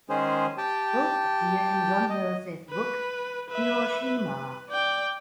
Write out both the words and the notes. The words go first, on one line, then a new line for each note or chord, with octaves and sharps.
Both appear in John Hersey's book, "Hiroshima".
D#3 G#3 C#4 G#4 C5
G4 G5 A5
D#5
B4
B4 E5
B4
D5 G5